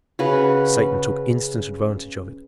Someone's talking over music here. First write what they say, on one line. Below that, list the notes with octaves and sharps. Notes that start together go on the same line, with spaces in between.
Satan took instant advantage of it.
C#3 F#4 B4